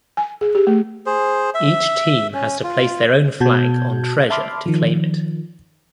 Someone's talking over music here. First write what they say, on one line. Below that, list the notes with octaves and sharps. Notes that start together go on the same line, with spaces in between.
Each team has to place their own flag on treasure to claim it.
G#5
G#4
G4
A3
G#4 C5
E5
C#4
F4
B2 F#4 A5 G6 G#6
E5 A5 B5 C6 D6 F6
D#3 F3